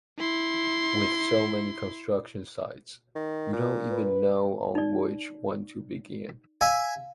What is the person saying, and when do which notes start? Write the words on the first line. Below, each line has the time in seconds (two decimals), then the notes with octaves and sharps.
With so many construction sites, you don’t even know on which one to begin.
0.19 E4 C6
3.16 D#3
3.53 A#2
3.92 B4
4.75 D#4 D5
6.61 E5 F5 G#5